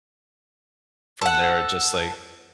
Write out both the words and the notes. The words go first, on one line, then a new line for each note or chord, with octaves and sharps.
from there, it just, like
A4 F#5